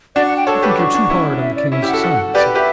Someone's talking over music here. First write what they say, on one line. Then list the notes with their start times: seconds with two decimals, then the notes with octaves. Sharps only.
"I think you're too hard on the king's son," I said.
0.16 D4 F#4 D5
0.27 F#5
0.37 G5
0.47 A4 C#5 A5
0.58 C#6
0.62 G4 B4
0.69 D6
0.78 D4 F#4 C#6
0.94 D4 F#4
1.10 C#4 E4
1.41 E5
1.56 D5
1.72 C#4 E4 E5
1.82 E4 G4 F#5
1.93 F#4 A4
2.04 F#4 A4
2.34 G4 B4 D5
2.55 G4 B4 E5